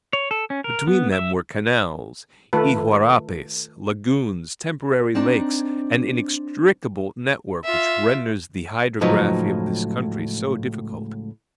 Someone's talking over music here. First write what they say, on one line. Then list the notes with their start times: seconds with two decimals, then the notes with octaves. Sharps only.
Between them were canals, iguarapes, lagoons, temporary lakes, an inextricable network which renders the hydrography of this country so difficult.
0.13 C#5
0.31 A4
0.50 C#4
0.64 A#4
0.87 B3
1.12 E5
2.53 D#3 A3 F4 A4 B4
5.15 C4 D4 D#4 A5
7.64 F4 E5
9.01 C#2 A2 F3 F#3 D#4 B4